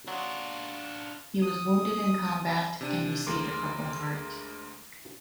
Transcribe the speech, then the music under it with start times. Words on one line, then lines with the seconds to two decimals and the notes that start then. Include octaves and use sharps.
He was wounded in combat and received a Purple Heart.
0.08 F#3 D4 F4
1.42 D#6
2.81 C3 D4 D#7
3.27 D2 G#3 A#4 C6 D6